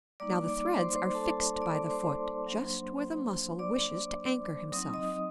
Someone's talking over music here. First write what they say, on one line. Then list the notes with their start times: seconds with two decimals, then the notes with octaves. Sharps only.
Now the threads are fixed by the foot, just where the Mussel wishes to anchor himself.
0.20 G3 A#3 D#4 D5 D6
0.48 D5 D6
0.66 D6
0.76 C5 C6
0.96 C5 C6
1.14 A4 A5
1.61 D5 D6
1.90 C5 C6
2.47 F#3 A#3 D4
3.59 D5 D6
4.72 F#3 C4 D#4 D#6
4.94 D#5 D#6